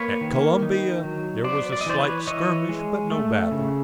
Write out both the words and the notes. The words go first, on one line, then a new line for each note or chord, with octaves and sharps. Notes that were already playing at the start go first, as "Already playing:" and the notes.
At Columbia there was a slight skirmish but no battle.
Already playing: A#3 B4 C#5
D#3
D#4
F#3
B3 C5 D5
D5
D#5
E3 C5 D5
B4 C#5
E3 C#5 D#5
G#3
A3
C#3